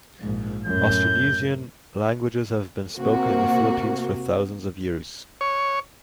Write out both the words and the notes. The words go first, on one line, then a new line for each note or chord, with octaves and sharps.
Austronesian languages have been spoken in the Philippines for thousands of years.
A#1 G#2
F#2 A2 G6
C3 A#3 F#4
C#5